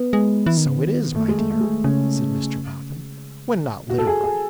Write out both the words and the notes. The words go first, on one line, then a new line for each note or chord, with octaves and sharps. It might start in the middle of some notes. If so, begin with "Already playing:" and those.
'So it is, my dear,' said Mr Boffin, 'when not literary.
Already playing: B3
G#3
E3
D#3
C#3
D#3
A3
G#3
A3
A3
G#3
C#3 C#4
F#4
A4
G#4
G#4